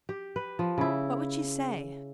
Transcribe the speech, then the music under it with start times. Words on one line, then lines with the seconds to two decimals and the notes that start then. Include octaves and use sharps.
What would she say?
0.09 G4
0.36 B4
0.59 F3
0.78 C#3 E4